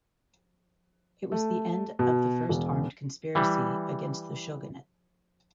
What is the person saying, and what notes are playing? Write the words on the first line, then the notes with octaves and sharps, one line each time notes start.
It was the end of the first armed conspiracy against the shogunate.
A3
B2
E1
E3 G3